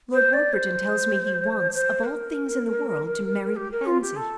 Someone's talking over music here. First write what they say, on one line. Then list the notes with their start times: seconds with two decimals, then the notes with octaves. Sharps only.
Lord Warburton tells me he wants, of all things in the world, to marry Pansy.
0.13 C5
0.33 D5
0.53 C5
1.74 C5
2.04 A#4
3.56 G4
3.71 A#4
3.86 F4
4.01 G4
4.16 A4